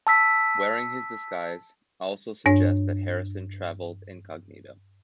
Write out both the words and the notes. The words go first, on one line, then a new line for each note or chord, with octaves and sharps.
"Wearing his disguise" also suggests that Harrison traveled incognito.
A5 E6 B6
G2 D4 C#5